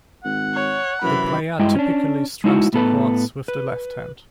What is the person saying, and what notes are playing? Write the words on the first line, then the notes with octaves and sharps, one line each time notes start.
The player typically strums the chords with the left hand.
G#1 F#5
C#5
F#2 C3 E3 B5
G2 G#3 E4 D#5 G5
C#4 D4
G#3 D#4 E4 F#4
A2 B3 A4 B4
B4